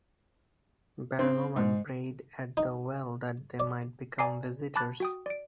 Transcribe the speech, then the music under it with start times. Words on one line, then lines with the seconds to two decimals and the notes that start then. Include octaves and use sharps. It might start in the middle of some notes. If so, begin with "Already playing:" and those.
Barren women prayed at the well that they might become visitors.
1.19 C4
1.56 G#2
2.57 D#4
3.60 D5
4.19 D5 G#5 A#5 D6 C7
4.76 A5 B5 D6 F#6 A6
5.00 F#4 G5 D#6
5.26 D5 D7